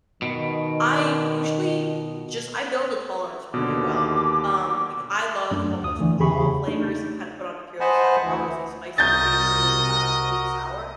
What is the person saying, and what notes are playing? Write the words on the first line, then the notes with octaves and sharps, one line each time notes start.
I usually just I build a tolerance pretty well, um, becau I love almost all flavors, if I had to put on a tier list, I would probably say spicy, savory, uh, sweet, sour?
B2 D#3
D#2 B2 D3 D6
F#2 A3 D4
D2 D#6
D3 E3 A3
E2 C#3 G4 G#4 B5 C#6
A3 D4 D#4
C5 D#5 F#5 G#5 A5 B5
D2 E3 E4
C2 C3 F#4 A#4 D#5 G6 A6